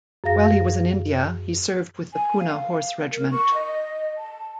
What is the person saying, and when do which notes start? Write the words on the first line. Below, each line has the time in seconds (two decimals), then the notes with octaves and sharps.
While he was in India he served with the Poona Horse regiment.
0.24 F#2 G#4 F5 A#6
2.13 G#5
2.40 F5
3.12 A#4
3.31 C#6
3.54 D#5
4.17 A5